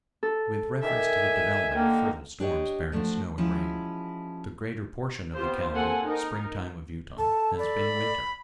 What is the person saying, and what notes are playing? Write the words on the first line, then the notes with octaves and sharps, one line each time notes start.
With reference to the development of fertile storms bearing snow and rain, the greater portion of the calendar springtime of Utah has been winter.
A4
D#3 G4 E5 G#5
D3 A#3 G5
D4 G4 C#5 D#5
F3 A3 D4 F#4 C5
F3 G#3 C#4 E4 F#4
B3 C4 F4 G4 C5
A#3 C4 A4 F#5 G#5
D#4 A#4
A4 A5
D5 B5